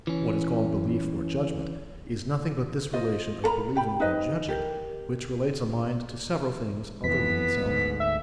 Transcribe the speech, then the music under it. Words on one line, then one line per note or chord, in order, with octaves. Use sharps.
What is called belief or judgement is nothing but this relation of believing or judging, which relates a mind to several things other than itself.
E3 C#4
F4 C5 D#5
A4 A#4 A#5 B5
G4 G5 B5
D#4 B4 C5 D#5
G4 A#4
F2 E3 B3 B6
D2 G#2
E5